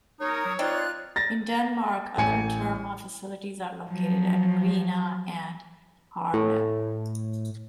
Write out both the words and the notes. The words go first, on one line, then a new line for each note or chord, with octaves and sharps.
In Denmark, other Terma facilities are located at Grenaa and Herlev.
D#4 A#4 C#5 D#6
F#3
C4 D#4 F4 D5 F#6
A6 A#6
A1 G#5 C#7
F3 F#3
A2